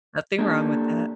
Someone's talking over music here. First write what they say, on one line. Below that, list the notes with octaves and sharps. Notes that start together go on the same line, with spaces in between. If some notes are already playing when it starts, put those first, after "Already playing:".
Nothing wrong with that.
A#3 D4 G4 A4